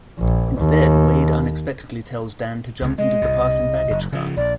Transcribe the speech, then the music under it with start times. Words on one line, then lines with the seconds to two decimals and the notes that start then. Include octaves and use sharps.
Instead, Wade unexpectedly tells Dan to jump into the passing baggage car.
0.19 A#1
0.58 D#2
2.82 C#2 C#3
2.98 G#3 D#5
3.21 C2 C3
3.90 F#1
4.12 C#3 F3
4.37 A#1 D5